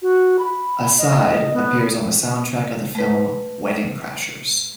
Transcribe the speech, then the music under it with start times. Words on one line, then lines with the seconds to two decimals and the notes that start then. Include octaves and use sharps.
"Aside" appears on the soundtrack of the film "Wedding Crashers".
0.02 F#4
0.39 B5
0.98 D#5
1.54 B3
2.95 A3 B4